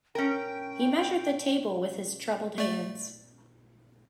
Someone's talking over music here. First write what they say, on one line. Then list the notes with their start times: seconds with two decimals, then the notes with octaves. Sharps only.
He measured the table with his troubled hands.
0.15 C#4 A#4 G5
2.58 A3 D5